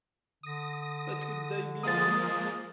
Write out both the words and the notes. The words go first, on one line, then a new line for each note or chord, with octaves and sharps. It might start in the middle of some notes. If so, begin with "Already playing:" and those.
But would they be visited?
D3 D#6 A#6
F3 G#3 A#3 D#6 A6